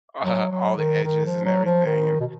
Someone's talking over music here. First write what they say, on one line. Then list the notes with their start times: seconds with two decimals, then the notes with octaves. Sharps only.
uh, all the edges and everything, and
0.24 F#3
0.52 F#3
0.78 D#3
1.04 D#3
1.25 F3
1.45 F#3
1.65 F3
1.86 D#3
2.20 B2